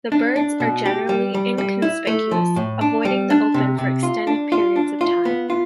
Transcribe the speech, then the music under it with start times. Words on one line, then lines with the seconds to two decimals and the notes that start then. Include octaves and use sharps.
The birds are generally inconspicuous, avoiding the open for extended periods of time.
0.12 D4
0.36 D4
0.60 B2
0.86 G4
1.09 G3
1.35 G3
1.58 G3
1.82 E4
2.07 A3
2.31 F3
2.56 A2
2.81 D4
3.05 G3
3.30 D4
3.54 C3
3.78 C3
4.03 F4
4.27 D4
4.52 F4
4.76 D4
5.01 F4
5.25 B3
5.50 F4